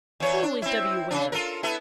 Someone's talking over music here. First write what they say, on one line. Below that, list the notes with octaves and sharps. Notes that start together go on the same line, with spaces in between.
Who is W. Windsor?
E2 C#5
D4
C4 E4
C#3 D4
F4 A4 A#4
B3 E4 A4